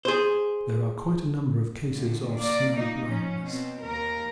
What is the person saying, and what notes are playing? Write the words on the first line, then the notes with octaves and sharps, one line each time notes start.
There are quite a number of cases of snow blindness.
G#4 C5
A2 D3
A#3 D5
A#3 D#4
F3 C#4
B2 C4
D#2 A#4